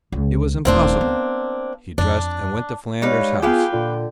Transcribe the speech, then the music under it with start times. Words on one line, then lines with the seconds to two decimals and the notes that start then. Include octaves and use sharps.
It was impossible; he dressed and went to Falander's house.
0.12 C#2
0.65 D#1 D2 A#3 C4 D4
1.01 B3
1.98 F2 D4
3.02 G3 G#3 D#4 B4 C#5 F5
3.42 B3 F4 G4 G#4 B4 F5 G5
3.72 A#2 D3 F4